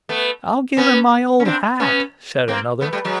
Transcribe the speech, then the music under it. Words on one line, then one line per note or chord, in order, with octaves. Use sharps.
"I'll give him my old hat," said another.
A3 B3
B3 C#4
C#4
C4 D4
B3 C#4
A#3 C4
A3 B3
G3 A3
F#3 G#3